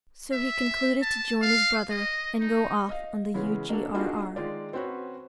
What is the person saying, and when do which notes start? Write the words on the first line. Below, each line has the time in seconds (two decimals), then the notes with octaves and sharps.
So he concluded to join his brother and go off on the U.G.R.R.
0.33 E5
1.02 A5
1.42 F5
1.90 D#5
2.40 D#4
2.89 D#5 F5
3.34 C#3 E3 G#3 B3 C#4
3.69 A#3 D4 F#4 A4
3.94 A#3 D4 D#4 F4 F#4 G#4
4.36 D#3 G#3 F4 D5
4.73 C4 C#4 F#4 B4 C#5